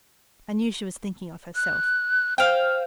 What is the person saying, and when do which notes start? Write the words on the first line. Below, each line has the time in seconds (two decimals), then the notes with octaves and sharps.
I knew she was thinking of herself.
1.55 F#6
2.38 C5 F5 G5